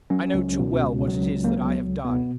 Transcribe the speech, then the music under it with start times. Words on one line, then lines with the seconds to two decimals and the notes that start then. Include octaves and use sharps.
'I know too well what it is that I have done.'
0.10 F#3 C#4
0.34 C#2
0.59 B2
0.84 C#2
1.07 F#3
1.32 C#2
1.44 A#3
1.56 F#3 B3
1.81 C#2
2.05 B2 B3